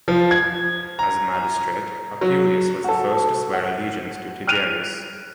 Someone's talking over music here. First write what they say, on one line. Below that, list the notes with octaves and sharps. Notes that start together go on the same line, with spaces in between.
As a magistrate, Appuleius was the first to swear allegiance to Tiberius.
F3
G#6
A#5
F#3
F#4 A4
F#5
F6 F#6 D7 D#7 F7